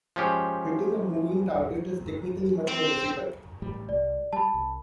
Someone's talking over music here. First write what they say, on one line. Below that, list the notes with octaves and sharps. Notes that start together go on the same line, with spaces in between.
Hitting a moving target is technically much more difficult.
F3 G#3 C#4 G4
C4
A1 A2 G3
C2 D5
G3 A5 B5
C2